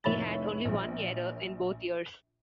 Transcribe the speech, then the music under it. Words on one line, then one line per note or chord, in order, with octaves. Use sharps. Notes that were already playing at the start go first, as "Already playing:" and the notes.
He had only one error in both years.
F1 A2 C#5 E5 B5 A6
A#1